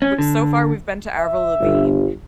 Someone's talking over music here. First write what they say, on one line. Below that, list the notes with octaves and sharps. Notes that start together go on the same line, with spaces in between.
w so far we've been to Avril Lavigne,
C#4
D3
E5
G1